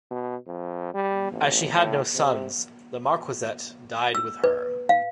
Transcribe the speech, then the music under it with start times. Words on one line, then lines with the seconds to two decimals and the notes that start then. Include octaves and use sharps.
As she had no sons the marquessate died with her.
0.11 B2
0.47 F2
0.94 G3
1.32 A1
1.73 A2
2.15 C3
4.15 E6
4.44 B4
4.89 F5